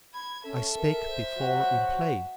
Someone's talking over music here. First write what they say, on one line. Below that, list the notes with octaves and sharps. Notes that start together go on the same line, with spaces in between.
I spake before in play.
B5 G#6
C#4 A4 E5
A#4
C5
F#3 F#4